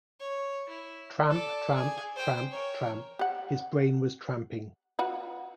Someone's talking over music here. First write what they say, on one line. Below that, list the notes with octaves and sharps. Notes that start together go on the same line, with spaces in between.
Tramp, tramp, tramp, tramp; his brain was tramping.
C#5
E4
A4 D5
G#4
C5 G5
A#4 C#5
G4 F#5
F4 F#4 B4